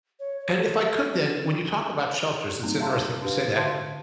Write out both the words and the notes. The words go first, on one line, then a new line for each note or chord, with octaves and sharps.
And if I could then, when you talk about shelters, it's interesting that you say that.
C#5
C#5
A4
C4
D4
C#4
G3 A#3 C4 D#4
E5 F5 A5 A#5 C6
D4 G4 B4 F5
D3 F#4 C5 F5 A5 C6